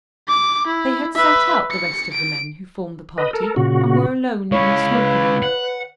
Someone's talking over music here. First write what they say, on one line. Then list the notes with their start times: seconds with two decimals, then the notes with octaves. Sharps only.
They had sat out the rest of the men who formed the party and were alone in the smoking-room.
0.28 D6
0.67 E4
1.16 B4 E5
1.71 C#7
2.14 D7
3.18 B4 D#5
3.33 A4 A#4
3.56 A#2 C#3 F#4
4.52 G#3 C#4 E4 C#5 F5
4.92 B4
5.43 F#5